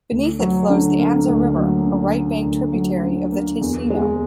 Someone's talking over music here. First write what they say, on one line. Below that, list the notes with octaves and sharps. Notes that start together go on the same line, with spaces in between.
Beneath it flows the Anza River, a right-bank tributary of the Ticino.
D2
F#3
D3
A#3
D2
F#3
D3
A#3
D2
F#3
D3
A#3
E2
G#3